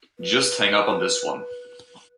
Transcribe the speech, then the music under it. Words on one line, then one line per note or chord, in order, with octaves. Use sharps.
Just hang up on this one.
B4